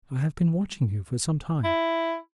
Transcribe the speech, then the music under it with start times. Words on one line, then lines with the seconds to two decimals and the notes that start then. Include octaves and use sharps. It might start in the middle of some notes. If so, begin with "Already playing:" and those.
"I have been watching you for some time."
1.64 E4